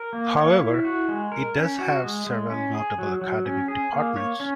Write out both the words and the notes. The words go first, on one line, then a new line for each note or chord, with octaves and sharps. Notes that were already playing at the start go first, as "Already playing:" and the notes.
However, it does have several notable academic departments.
Already playing: A#4
A#3
C#5
E4
F#4
G#3
A#4
C#4
F#4
G#3
G#3
C#4
G#4
F#3
F#3
C#4
G#4
A#3
C#5
C#4